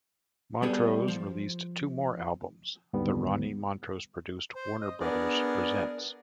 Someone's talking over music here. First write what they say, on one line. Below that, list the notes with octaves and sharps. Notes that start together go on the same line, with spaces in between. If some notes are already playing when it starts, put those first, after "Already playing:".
Montrose released two more albums, the Ronnie Montrose-produced Warner Brothers Presents...
G3 B3 G#4 A4
F3
D#2 G#2 D3 D#3 G3 B3
C5
D#5
B3 D4 G#4 A#4 D5